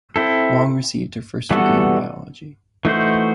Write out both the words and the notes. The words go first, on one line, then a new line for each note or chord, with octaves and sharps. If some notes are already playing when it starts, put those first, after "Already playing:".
Wong received her first degree in biology.
C4 E4 A4
E3 G3 B3 F#4 A4
E3 A3 D#4 F#4 C5